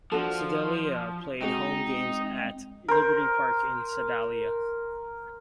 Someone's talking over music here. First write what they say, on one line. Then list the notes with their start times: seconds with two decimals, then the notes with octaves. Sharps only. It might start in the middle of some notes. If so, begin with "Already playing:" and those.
Sedalia played home games at Liberty Park in Sedalia.
0.12 F3 D4 F#4 A4
1.42 G#3 C4 D#4 F#4 G#4 D#5
2.88 A#4 C5